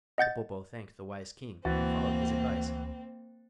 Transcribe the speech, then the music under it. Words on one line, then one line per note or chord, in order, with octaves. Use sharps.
Popopo thanked the wise king and followed his advice.
D#5 F#5 G6 A6
D2 E3 A#3 C4 F#4 A6